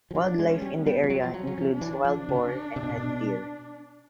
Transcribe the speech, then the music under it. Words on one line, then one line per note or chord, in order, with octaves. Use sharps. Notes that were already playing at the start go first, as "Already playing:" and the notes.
Wildlife in the area includes Wild Boar and Red Deer.
F3
F#3 D4
G#3
C#4
G3
B3
G3
F3
F#3 C4
F3
F#3
C#4
F#3
F3
D4
E3
F3 D4
C#3
C3
B2
A#2
B2